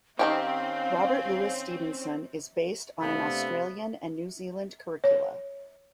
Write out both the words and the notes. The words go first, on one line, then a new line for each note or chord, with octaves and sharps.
Robert Louis Stevenson is based on an Australian and New Zealand curricula.
D#3 F3 C4 C#4 G4 F5
C3 A3 B3 D4 A4 F5
C#5